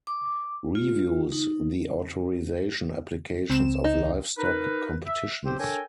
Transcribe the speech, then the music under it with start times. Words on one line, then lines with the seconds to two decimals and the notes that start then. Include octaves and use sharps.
Reviews the authorization applications of livestock competitions.
0.07 D6
0.75 F4
1.32 D#4
3.50 C#2 C4 E7
3.84 D#4
4.38 D#4 A#4 B4
5.05 E5
5.45 C4 G4 C5
5.59 D4 A4 A#4 C#5 G5 G#5